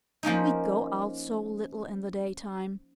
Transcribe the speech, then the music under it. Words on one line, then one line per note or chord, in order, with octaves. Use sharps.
"We go out so little in the daytime."
F3 A#3 C#4 D#4